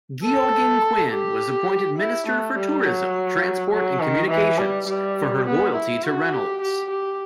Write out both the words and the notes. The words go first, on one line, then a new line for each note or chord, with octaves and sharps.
Geoghegan-Quinn was appointed Minister for Tourism, Transport and Communications for her loyalty to Reynolds.
A4
G4
E4
A3
G3
F#3
F#3
D#3
E3
G3
G3
B3
E4
F#4
G4
G4
G4